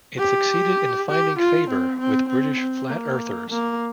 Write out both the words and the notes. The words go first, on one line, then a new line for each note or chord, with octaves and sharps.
It succeeded in finding favour with British "flat-earthers".
G4
G4
F4
C4
C4
C4
C4
A#3
A#3